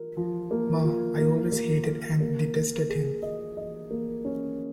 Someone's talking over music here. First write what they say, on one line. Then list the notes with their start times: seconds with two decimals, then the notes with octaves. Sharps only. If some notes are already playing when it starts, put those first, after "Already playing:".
Ma, I always hated and detested him.
Already playing: F4 A#4
0.17 F3
0.51 A#3
0.84 F4
1.18 A#3
1.52 A#3
1.86 A#4
2.20 A#3
2.55 A#3
2.89 G#4
3.22 D#5
3.57 D#5
3.91 A#3
4.25 C#4